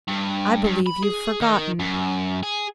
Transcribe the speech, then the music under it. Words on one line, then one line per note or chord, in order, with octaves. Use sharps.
"I believe you've forgotten."
G2
G2
B5
G#4
D#3
F#2
G#4